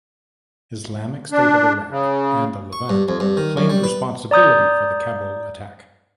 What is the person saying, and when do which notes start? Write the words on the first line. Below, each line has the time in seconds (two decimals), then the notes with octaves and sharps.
Islamic State of Iraq and the Levant claimed responsibility for the Kabul attack.
1.32 D4
1.90 C#3
2.73 C#6
2.89 G2
3.09 F2
3.20 G2
3.37 D#3
3.57 F#2
3.70 G3
3.84 B4
4.31 D5 A#5 D#6 G6